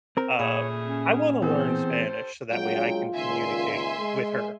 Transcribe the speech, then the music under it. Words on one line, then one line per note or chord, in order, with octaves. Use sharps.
um, I wanna learn Spanish so that way I can communicate with her.
C4 A#4
A#2 C#3 A3 G#4 C#5 B5
C#4
G2 E3 B3 C4 G#4 A4 C5
A#1 F#3 G#3 F4 G5
C#2 A#2 D#3 E5 G#5 C6
G#3